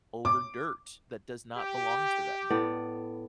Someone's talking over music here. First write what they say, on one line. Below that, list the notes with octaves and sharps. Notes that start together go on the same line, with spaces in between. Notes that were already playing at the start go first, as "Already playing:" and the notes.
over dirt that does not belong to them
D6
G4
A2 B3 D5